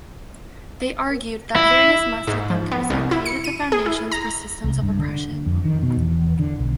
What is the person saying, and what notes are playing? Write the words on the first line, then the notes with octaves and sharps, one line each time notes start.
They argued that various "Master Thinkers" had created the foundations for systems of oppression.
E4
G#2
F3
B3
C2
E4
C#7
D#7
G#4
E4
A#5
C2
G2
D3
F2
D#3
B2
E2
D3
B1